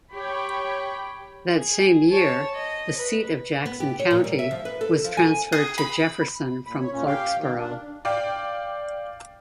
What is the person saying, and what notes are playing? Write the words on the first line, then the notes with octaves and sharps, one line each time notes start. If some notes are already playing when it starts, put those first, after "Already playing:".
That same year, the seat of Jackson County was transferred to Jefferson from Clarkesboro.
G4 C#5 G5 B5
G#4
C#5 A5
D#5
B4
B3
G4
C#5
A#2
G3
E5
F3
B4
A4
F3
G#5
G#4
B5
A#2 B5
C#5
A#2 C#4
G4 F5 G5
D#3
D4
D5 F5 G5